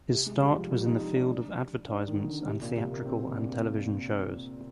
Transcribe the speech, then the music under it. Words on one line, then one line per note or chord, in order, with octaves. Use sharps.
His start was in the field of advertisements and theatrical and television shows.
C3
G#3
G3
F3
G3
D#4
D#4
D4
D4
D#3
D3
C3
A#2
C3
A#3
C4
D4